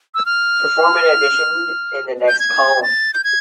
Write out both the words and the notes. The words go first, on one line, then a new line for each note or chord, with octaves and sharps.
Perform an addition in the next column.
E6
F6
G6
G#6
A6
G6
G#6